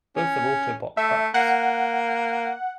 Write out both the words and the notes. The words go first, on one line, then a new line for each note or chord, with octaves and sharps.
Both are Autobot trucks.
C#4
A3 E5
A#3 F#5